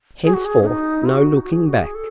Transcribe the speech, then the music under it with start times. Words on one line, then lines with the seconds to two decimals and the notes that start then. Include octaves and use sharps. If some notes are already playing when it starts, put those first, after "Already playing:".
Henceforth no looking back.
0.24 G#4
0.34 F#4
0.45 G#4
0.62 C#4
0.66 D#4
1.09 F#4
1.44 F#4
1.52 G#4
1.66 F#4
1.81 G#4
1.95 A4